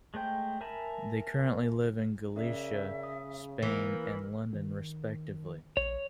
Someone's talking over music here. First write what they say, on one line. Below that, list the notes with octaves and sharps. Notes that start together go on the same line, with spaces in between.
They currently live in Galicia, Spain and London, respectively.
G#3 A3 C5 G5
A#4 E5 G#5 A5 B5
C#3 C#4 A#4 D5 E5
D#6
E3 A#3 A#4 E6 A#6
D#3
A#1 C#5